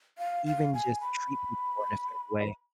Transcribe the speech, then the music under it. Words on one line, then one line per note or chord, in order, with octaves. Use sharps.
even just treat people in a certain way.
F5
F5
G#5
B5